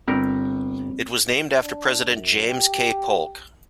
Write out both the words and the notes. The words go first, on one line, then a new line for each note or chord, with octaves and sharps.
It was named after President James K. Polk.
G1 G3 C4 A#4
D4
F#2
G4